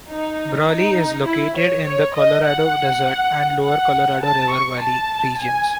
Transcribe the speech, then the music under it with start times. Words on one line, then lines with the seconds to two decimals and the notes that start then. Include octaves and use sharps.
Brawley is located in the Colorado Desert and Lower Colorado River Valley regions.
0.10 D#4
0.68 D#4
1.27 E4
1.56 C#5
1.86 C#5
2.15 D#5
2.46 F#5
3.63 F#5
4.23 A5
4.52 C#6
4.81 A5
5.40 G#5